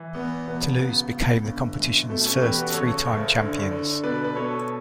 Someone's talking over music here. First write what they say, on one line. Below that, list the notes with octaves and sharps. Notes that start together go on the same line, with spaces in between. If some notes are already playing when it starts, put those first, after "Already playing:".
Toulouse became the competition's first three-time champions.
Already playing: E3
E2 B3
E1 B3
C#3 B3
C#2
G1
F#2
B2 A3
A3 C#4
E2 G4 B4
F#4 A4
C#3 A4 C#5
F#1
D3
D3
B2 B4 D5
B4
B2 A4 C#5